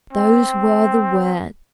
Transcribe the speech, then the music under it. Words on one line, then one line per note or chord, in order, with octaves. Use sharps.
Those were the words!
C4